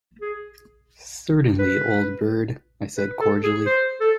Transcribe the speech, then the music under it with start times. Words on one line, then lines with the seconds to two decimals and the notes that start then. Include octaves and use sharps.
"Certainly, old bird," I said cordially.
0.22 G#4
1.59 B4
2.97 B4
3.21 A4
3.44 G#4
3.66 C5
4.01 A4